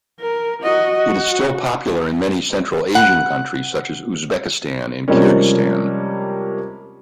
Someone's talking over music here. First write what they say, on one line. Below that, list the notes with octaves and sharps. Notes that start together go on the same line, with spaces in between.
It is still popular in many Central Asian countries such as Uzbekistan and Kyrgyzstan.
A#4
F#4 D#5
F#4
F#5
C3 F3 G3 G#3 A#3 C#4